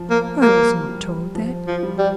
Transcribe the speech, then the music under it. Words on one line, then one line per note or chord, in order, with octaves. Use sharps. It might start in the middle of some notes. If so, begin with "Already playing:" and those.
"I was not told that."
Already playing: F3
A#3
G3 A#3
G3
F3
F3
G3
G3